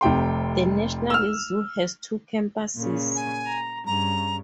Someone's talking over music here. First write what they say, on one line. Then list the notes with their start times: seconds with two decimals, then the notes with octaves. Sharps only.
The National Zoo has two campuses.
0.01 F1 C3 G5 C6
1.10 E6 F6
2.77 A#2 C#3
3.16 G#5
3.46 A#5
3.86 G2 C#3 A#5